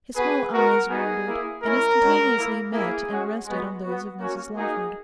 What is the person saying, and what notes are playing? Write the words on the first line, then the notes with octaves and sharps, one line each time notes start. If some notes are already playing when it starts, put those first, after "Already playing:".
His small eyes wandered, and instantaneously met and rested on those of Mrs Lawford.
B3 F#4 G#4 B4
B3 F#4 A#4
B3 D#4 F#4 G#4
A#3 E4
G#3 C#4 E4 A#4
G#3 C#4 F#4
A#3 E4
A#3 E4 G#4
G#3 C#4 F#4
G#3 B3 F#4
B3 F#4
A#3 C#4 F#4
A#3 D#4 F#4 G#4